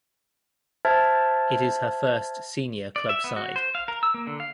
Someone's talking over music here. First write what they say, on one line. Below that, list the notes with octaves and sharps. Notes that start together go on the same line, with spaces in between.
It is her first senior club side.
C5 E5 A5 F6 G#6 A6
D5
E5
B3
F#4
C5
F5
A#4
E6
A#3
D3
F5